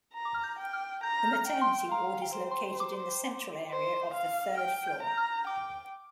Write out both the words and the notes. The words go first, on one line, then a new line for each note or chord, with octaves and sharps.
The maternity ward is located in the central area of the third floor.
A#5
D6
F6
G6
G5
F6
A#5 G6
F6
G5
C6
F5 A#5
G5
C5
C6
D6
C5
F5
G5 F6
G6
A#5
F6
G5 D6